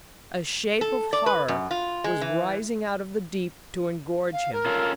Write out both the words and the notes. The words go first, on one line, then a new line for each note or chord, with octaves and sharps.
A shape of horror was rising out of the deep to engorge him.
A4
D5
B4
F#2
F4
G#3
E3
F5
A#4
C#4 F4 A4